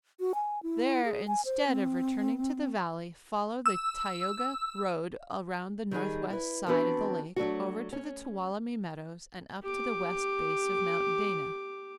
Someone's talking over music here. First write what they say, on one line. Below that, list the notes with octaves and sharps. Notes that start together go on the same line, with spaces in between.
There instead of returning to the Valley, follow the Tioga road around the northwest side of the lake, over to the Tuolumne Meadows and up to the west base of Mount Dana.
F#4
G#5
E4
G#4
G#5
C5
C4
E6
D#3 G3 D#4 G#4
E4 B4
E3 B3 C4 D4 F#4 B4
F#3 A3 D4 F#4
C#4
G4 D6